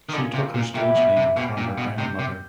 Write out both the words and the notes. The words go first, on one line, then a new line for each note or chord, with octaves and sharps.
She took her stage name from her grandmother.
D#3
D3 C#4 F4 A#4 D#5
C3
A#2
A#2 E4 G4 B4 D5
B2
C3
B2 G4 C5 F5 G#5
A#2
B2
C3 G4 C5 D#5
C3